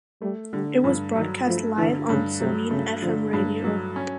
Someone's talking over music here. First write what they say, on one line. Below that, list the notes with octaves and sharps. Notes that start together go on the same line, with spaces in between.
It was broadcast live on Zamin Fm radio.
G3 A3
D3 G3
G2 F3
D#3 F#3
F3 A3
D3 E3
G2 C#3
C3 F#3
C#3 A3
D3 F3
G2 F#3
F#3 G#3
C#4